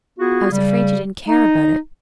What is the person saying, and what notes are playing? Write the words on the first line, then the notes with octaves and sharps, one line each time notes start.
"I was afraid you didn't care about it."
B3 F4 F#4 G#4
C#3 G3
D#4